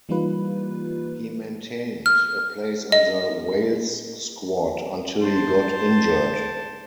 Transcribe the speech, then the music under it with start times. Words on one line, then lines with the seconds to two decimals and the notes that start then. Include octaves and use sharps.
He maintained a place in the Wales squad until he got injured.
0.09 E3 G3 A#3 D#4 F4 B4
2.06 F6
2.92 D#5
5.22 C5 A5